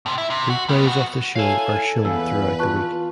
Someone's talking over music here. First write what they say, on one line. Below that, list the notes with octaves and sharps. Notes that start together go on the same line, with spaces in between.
Replays of the show are shown throughout the week.
A2 C3
E4
C3
F#4
G3 B3
F2 F#4
E4 A4 C#5 F5 G#5
E2 B4 F5 G#5 E6
F4 A5 C#6 F#6